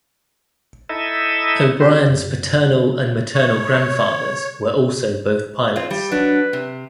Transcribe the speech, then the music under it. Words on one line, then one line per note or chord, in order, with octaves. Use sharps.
O'Brien's paternal and maternal grandfathers were also both pilots.
D#4 E4 A4 D#5 E5
C4 F#4 G4 C5
F#2
C#5
C4 F4
G3
F#3 D4 B4
C3